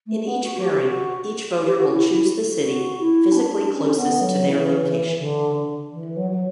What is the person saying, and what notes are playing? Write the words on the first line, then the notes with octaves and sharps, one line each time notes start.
In each pairing, each voter will choose the city physically closest to their location.
A3
B3
F#4
F#4
G4
F#4
G4
F#4
E4
F#4
E4
C#4
D4
C#4
B3
F#3
E3
D3
E3
F#3
F#3